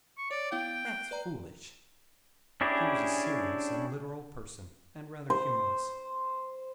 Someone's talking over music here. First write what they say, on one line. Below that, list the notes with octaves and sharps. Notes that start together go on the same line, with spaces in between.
"That's foolish." He was a serious and literal person, and rather humorless.
C#6
C#5 D5
B3 E4 F5 G5
F#6 C7
B4 D5 A#5
C#4 D4 E4 G4 G#4
C5